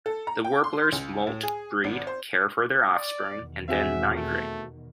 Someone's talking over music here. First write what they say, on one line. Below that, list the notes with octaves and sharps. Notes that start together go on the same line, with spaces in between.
The warblers molt, breed, care for their offspring, and then migrate.
A4
A#5
G5
C6
C#2
A2
G#4
G#1
C5
D5
E2 B2 D#3
C4 F#4 G#4 E5
A3